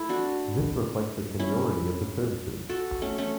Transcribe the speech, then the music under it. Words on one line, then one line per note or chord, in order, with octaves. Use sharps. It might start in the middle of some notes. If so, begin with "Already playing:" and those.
This reflects the seniority of the services.
Already playing: A3 E4 A4
D4 F#4
C#4 E4
F#4 A4
A3 C#4
A3 C#4